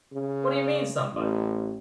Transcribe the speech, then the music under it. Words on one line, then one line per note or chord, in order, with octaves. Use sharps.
What do you mean, somebody?
C#3
A1